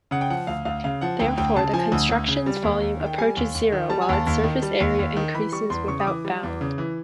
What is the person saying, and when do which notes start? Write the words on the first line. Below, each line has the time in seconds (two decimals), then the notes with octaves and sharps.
Therefore the construction's volume approaches zero while its surface area increases without bound.
0.11 C#3 F#5
0.21 G5
0.30 F3 F#5
0.47 D2 F5
0.65 D2 F5
0.84 C#3 F5
1.01 F3 F#5
1.20 D2 G5
1.38 D2 G5
1.56 C#3 A5
1.73 F3 G#5
1.92 D2
2.09 D2
2.28 C#3
2.46 G3
2.63 D#2
2.81 D#2
3.00 D#3
3.06 G5
3.18 G3 G#5
3.37 D#2
3.54 D#2
3.72 D#3
3.90 G3 A5
4.02 G#5
4.09 D#2 A5
4.27 D#2
4.44 D#3
4.62 G3
4.80 D#2
4.99 D#2
5.16 D#3
5.34 E3 B5
5.52 G3 C#6
5.70 E2 C6
5.88 C#3 C#6
6.00 D#6
6.07 E3 D6
6.25 G3
6.43 E2
6.61 C#3
6.78 E3